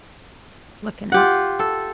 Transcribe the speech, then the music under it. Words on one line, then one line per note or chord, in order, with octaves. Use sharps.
looking out.
F4 G4 F#5
A4